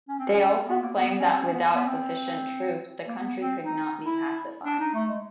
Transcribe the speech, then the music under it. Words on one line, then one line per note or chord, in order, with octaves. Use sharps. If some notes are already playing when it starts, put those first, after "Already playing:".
They also claim that without sufficient troops the country could not be pacified.
C#4
C4
C#4
C#4
B3
A#3
B3
B3
C#4
C4
C#4
B3
B3
C4
A#3
B3
C4
D#4
E4
D4
D#4
A3
G#3